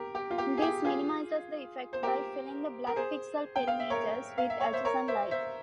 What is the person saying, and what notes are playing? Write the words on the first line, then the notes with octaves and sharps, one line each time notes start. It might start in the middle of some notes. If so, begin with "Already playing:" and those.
This minimizes the effect by filling the black pixel perimeters with adjacent light.
Already playing: G4 A#4
G4
F4
G4
G#4
G4
F4 G#4
C5
G4 A#4
A#4
G#4 C5
G5
F5
E5
A#4 C#5
F5
E5
C#5
C5 E5
A#4 C#5
C5 E5
C5 E5